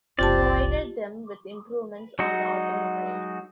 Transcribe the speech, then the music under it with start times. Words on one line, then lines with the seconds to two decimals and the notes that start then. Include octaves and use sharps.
He provided them with improvements on the automobiles.
0.19 F#1 C2 C4 F4 G4 D5 A5
2.19 F#3 G#3 D#4 F#4